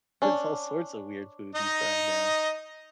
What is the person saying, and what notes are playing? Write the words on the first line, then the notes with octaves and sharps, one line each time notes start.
it's all sorts of weird foods he's trying now.
C#4 D4
D#4 D#5